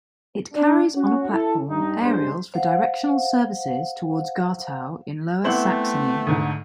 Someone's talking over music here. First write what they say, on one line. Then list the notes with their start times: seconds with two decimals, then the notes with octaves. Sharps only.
It carries on a platform aerials for directional services toward Gartow in Lower Saxony.
0.53 D4
0.95 C#4 F#4
1.30 E4 A4
1.68 G2 D#4
2.02 G2 G#3 C5
2.54 C5 F5 F#5
5.44 A3 B3 C4 E4 B4 C5 F#7
6.27 D2 G#2 D3